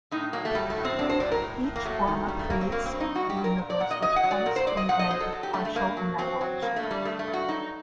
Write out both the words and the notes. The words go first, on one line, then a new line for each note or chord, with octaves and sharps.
Each Brahma creates a universe which comes to an end with partial annihilation.
A2 D#4
F#3 A#3
A3
F#3 G3
A3
A2
C4
F#3 D4
C5
A2 D5
A#4
A2
A2
A#3
F#3 A3
D#3
G2 G3
A3
F#3 A#3
C4
G2 A#3
C4
G2
D#4
G2 F#4
G4
G2
A#4
A#2
D5
A#2 F#5
D#5
F#3 D#5
F#5
F#3
D5
A#2 A#4
C5
F#3 D5
D#5
A#2 F#5
D#5
F#3 C5
A4
F#3
G4
G2 A3
A3
G2 A#3
F#3
F#3 C4
F#3
G2 A#3
A3
G2
G3
G2 A3
A3
G2
F#4
F#3 D#4